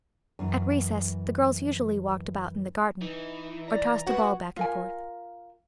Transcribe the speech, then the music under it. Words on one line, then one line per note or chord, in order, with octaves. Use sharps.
At recess the girls usually walked about in the garden, or tossed a ball back and forth.
F#2 E3
E3 D#4
D5 A#5
F#4 B4 C#5
F4 A#4 G#5